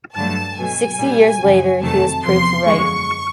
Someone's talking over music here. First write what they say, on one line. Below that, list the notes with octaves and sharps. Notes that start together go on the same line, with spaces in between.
Sixty years later he was proved right.
G2 D3 F#3 A3 A5
B2 F#3 A3 G#5
A#2 G3
F#2 C#3 F3
F2 C3 D#3 F#3 A3 A5
E2 C3 F3 C6
F#2 D3 F3 G#3 C#6